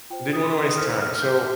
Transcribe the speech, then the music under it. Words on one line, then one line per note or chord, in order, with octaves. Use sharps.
Didn't want to waste time. So
F4 C5 G5
D#6
C6
D#6
D#4 C5 F6
F6
F6
G6